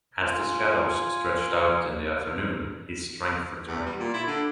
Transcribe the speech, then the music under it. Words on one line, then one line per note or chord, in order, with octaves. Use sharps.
As the shadow stretched out in the afternoon, his strength returned.
F4 G#5
E2
G3
A#2
E4
D3